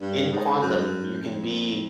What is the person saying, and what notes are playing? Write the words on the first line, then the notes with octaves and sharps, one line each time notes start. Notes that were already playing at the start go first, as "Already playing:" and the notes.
In quantum, you can be
G2
G#2
F#2
F2